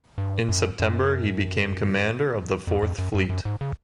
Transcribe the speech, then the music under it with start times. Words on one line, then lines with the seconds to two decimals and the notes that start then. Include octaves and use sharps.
In September he became commander of the Fourth Fleet.
0.18 G2
0.49 F#2
0.80 F#2
2.67 F2
2.82 F2
2.98 F#2
3.14 F#2
3.30 F#2
3.45 G#2
3.61 C#3